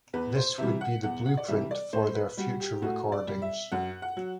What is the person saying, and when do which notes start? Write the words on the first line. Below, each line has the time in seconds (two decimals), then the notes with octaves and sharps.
This would be the blueprint for their future recordings.
0.13 E2 B4
0.36 C5
0.58 C3 E3 G3 E5
0.81 F#5
1.03 E2 F#5
1.26 F#5
1.37 D5
1.48 C3 E3 G3 E5
1.71 D5
1.93 A2 C5
2.15 B4
2.37 G3 F#4
2.60 G4
2.82 A2 F#4
3.12 D5
3.28 G3
3.42 E5
3.72 F#2 F#5
4.02 F#5
4.17 F#3